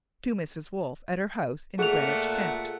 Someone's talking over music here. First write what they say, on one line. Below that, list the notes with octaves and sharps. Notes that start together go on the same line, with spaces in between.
To Mrs. Wolfe, at her house in Greenwich, Kent.
A#2 A3 G#4 F#5 F7